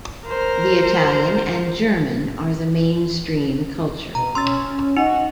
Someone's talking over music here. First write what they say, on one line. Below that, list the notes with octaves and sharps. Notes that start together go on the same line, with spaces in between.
The Italian and German are the mainstream culture.
A#4 C5
B2 A#5
C#4 C6 E6 A6
D#4 F#4 D#5 F#5